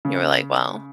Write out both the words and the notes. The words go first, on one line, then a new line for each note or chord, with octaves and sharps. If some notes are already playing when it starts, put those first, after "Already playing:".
we were like, "Well,
C#3